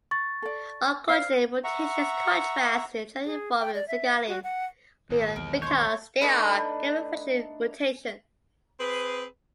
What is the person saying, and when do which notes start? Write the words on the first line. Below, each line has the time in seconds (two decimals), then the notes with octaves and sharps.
Oncogene mutations, in contrast, generally involve a single allele because they are gain-of-function mutations.
0.11 C#6 A6
0.42 A4 D5
1.09 C5 D5 F5 F6 C7
1.64 E5 F#5 A#5 C#6
3.25 G#4
3.59 G5
3.74 D5
3.88 E5
4.28 F#4
4.43 F#5
5.10 G#1 D#2 A#2
5.36 B1 E2 G#3 A#4
5.62 C#5 C6 C#6 G6
6.21 A3 D4 D#4 B4
8.79 C4 G#4 B4